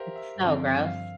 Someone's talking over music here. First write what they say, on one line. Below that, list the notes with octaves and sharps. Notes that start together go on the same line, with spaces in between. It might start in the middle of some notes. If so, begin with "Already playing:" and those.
It's so gross,
Already playing: G4 A#4 C5 E5 F5
E5
G2 D3 F3 C4
F5